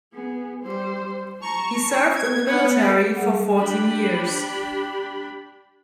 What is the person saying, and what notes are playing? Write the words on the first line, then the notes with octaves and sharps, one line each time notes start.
He served in the military for fourteen years.
B3 G#4
G3 C5
A5 A#5 C#6
C4 G#6
B3 F#5
G3 G#4 F#5
D4 G4 B5